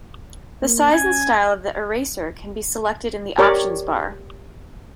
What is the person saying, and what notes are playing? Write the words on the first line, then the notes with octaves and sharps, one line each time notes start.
The size and style of the eraser can be selected in the options bar.
A#3
C#4 G#5
G4 A#4 C#5 D5